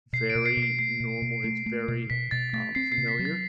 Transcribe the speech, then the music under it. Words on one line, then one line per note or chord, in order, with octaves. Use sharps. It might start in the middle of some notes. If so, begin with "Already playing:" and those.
very normal, it's very, um, familiar.
B2 C7
D7
B2
C7
B2
C7
A3 C7
B2
B2
A3
A3
B2
B2 B6
B2 A6
A3 A6
C4 C7
C7
C3
B6
F#3
A6